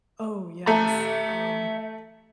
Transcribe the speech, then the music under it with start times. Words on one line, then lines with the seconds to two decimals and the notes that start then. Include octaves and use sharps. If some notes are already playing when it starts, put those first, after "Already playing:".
Oh, yes, um,
0.67 A3 E5 A#5